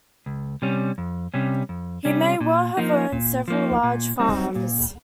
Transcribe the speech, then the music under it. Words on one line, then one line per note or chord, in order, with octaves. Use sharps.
He may well have owned several large farms.
C#2
C3 G3 C#4
F2
C3 G3 C#4
F2
C3 G3 C#4
A#2
F3 A#3 D#4
A#2
F3 A#3 D#4
A#2
G3 C4 D#4
A#2